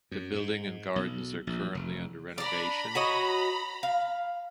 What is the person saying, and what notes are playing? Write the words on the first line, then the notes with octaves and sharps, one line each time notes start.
The building and gardens are currently under renovation.
F#2
G#2
B1
A#1
F1
D4 D5 A#5 B5
F#4 C#5 D#5
F5